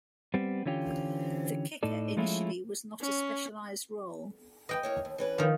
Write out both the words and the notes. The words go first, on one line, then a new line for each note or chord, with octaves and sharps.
The kicker initially was not a specialized role.
G3 B3 C4
D3 E3 C#4 F4 G4
A2 D#4 A4 D5
F3 G#3 A3 C#4 E4 F4
C#4
B4 D#5 G5
A#3 E4 C#5
D#2
E3 C#4 B4
D#3 F3